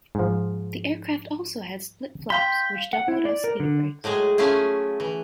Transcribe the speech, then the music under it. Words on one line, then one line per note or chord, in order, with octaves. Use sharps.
The aircraft also had split flaps, which doubled as speed brakes.
G#2 F3
F5 G5 C6 B6
F#5
E4
D5
A#4
D3
A2 F#3 G#3 G#4
F#3 A3 C#4 E4 F4 G#4
E3